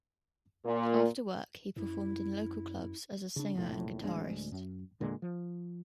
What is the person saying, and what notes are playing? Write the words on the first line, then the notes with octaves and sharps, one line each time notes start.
After work, he performed in local clubs as singer and guitarist.
A#2
F#2 E4
C#3 D4
F1 A#1 A2
D1 D2 G#3 D4
F#2
E2 A#2 D3 G#3
F3